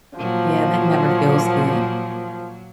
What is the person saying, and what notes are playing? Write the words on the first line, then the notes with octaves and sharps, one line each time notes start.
Yeah, that never feels good.
A#2 F3 F#3 A#3